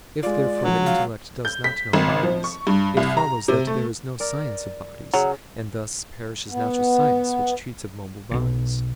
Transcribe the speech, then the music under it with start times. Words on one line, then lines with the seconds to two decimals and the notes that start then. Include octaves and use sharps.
If, therefore, the intellect does not know bodies, it follows that there is no science of bodies; and thus perishes natural science, which treats of mobile bodies.
0.23 G#3 F4 D5
0.64 F3 F#3 D4
0.86 F5
1.45 G6
1.64 B6
1.93 G#1
2.23 F3
2.44 C#6
2.67 G2
2.97 C2
3.17 A#5
3.48 C3
3.67 A3
4.20 A#4 D5
5.14 C#3 F#3
6.50 B3
8.31 B1 B2